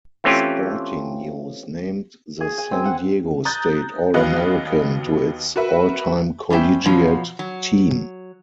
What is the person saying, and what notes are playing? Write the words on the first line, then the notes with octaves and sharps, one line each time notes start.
Sporting News named the San Diego State All-American to its All-Time collegiate team.
E3 A3 C4 C#4 F4 G4
G#4
G#5
C4
F#5
A#5 D#6 F#6 G6 A6
D#2 F#3 B3 D#5 F5 F#6
F#4 A#4 B4 E5
G3 C#4 C5 D5 E5 G5
F2 B2 F3 F#3
F#3